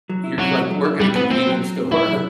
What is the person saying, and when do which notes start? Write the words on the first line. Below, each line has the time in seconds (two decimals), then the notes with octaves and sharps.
you, like, work in a convenience store,
0.10 F#3
0.24 E4
0.39 C3 F#3
0.55 A3
0.71 F#3
0.85 E4
1.00 F#3 G3
1.16 B3 C4
1.31 A3 C4
1.47 F#3
1.62 F#3
1.76 C4
1.92 A3 E4
2.07 F#3